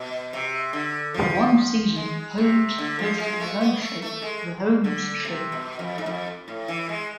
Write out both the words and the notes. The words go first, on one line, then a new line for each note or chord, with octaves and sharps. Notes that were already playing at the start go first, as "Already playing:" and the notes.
For one season, Holmes hosted her own show, "The Holmes Show".
Already playing: B2
C3
D3
F3
G#3
C3
D3
F3
G#3
A3
B3
A3
A3
G#3
D3
C3
B2
F2
G#2
F2
A2
E3
G#3